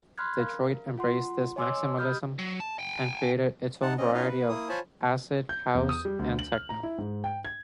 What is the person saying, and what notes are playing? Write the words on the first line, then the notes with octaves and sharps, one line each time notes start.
Detroit embraced this maximalism and created its own variant of acid house and techno.
B5 C6 F6 F#6 G#6
A#4 F5
F4 F#5 C6
C#5 D#5 G#5 C6 D6 E6
G4 D#5 B5 D#6 F6 G6
F#3
A5
G5 G#5
D#4 F#5 A5
C4 C#4 D#5
C#4 D#4 F4 D#5 F5
B4
A#3 E4 D#6
F4 C5 C#5 G#5 A5 B5
G6
E2
D#6
G3
D2
F#7
F6
A#5
E4
G#2
G5
G#6